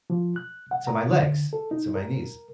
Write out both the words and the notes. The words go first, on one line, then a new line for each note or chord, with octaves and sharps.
to my legs, to my knees.
F3
F#6
F#5
A#5
D3
A4
D#4
A#4